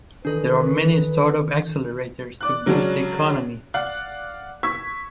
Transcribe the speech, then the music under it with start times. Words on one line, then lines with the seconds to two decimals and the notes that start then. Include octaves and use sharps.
There are many startup accelerators to boost the economy.
0.25 D#3 E3 D4 A4 B4
2.41 D5 D6 F#6
2.66 C#3 F#3 G#3 C#4 D4
3.74 D5 F5 F#5 F#6
4.63 C#6 E6 G#6 B6